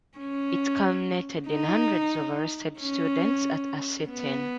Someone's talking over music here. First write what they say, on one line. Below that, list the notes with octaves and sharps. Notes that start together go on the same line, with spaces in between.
It culminated in hundreds of arrested students at a sit-in.
C#4
D#4
C#4
B3